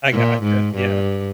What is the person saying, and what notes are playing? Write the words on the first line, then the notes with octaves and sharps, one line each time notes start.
I gotcha, yeah.
A#2
G#2
G2